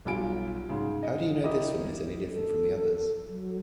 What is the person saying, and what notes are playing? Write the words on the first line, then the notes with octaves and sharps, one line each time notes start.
How do you know this one is any different from the others?
B1 F#3 G3 F4 G#5 D7
G#2 C#3
D#5
E4 G4 A#4 D#5 D#6
A4
F#3